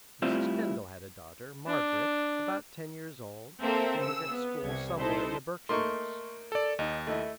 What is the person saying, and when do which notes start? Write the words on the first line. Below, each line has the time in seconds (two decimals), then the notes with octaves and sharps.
Mrs. Kendall had a daughter, Margaret, about ten years old, who was at school somewhere in the Berkshires.
0.22 G3 A3 C4 E4 F4 E5
1.66 D4
3.61 A#3 C4 A4 A#4 C5 E5
3.97 C#3 E6
4.29 B3
4.65 C2 G#6
4.98 D#4 E4 A4 C5
5.69 A3 A#3 D#4 C6 C#6
6.52 A4 D5
6.79 D#2 D#4
7.07 A3 E4 D#5